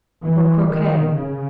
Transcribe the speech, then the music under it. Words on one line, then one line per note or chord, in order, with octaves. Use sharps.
Or croquet?
E3
D#3
C#3